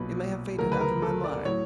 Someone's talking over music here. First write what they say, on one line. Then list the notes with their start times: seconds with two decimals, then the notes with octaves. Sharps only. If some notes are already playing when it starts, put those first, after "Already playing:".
It may have faded out of my mind.
Already playing: B1 A#2 F#3 B4
0.58 D2 C#3 F#3 A#4
0.72 B4
0.81 A#4
1.02 A4
1.24 D5
1.45 A2 F#3 C#5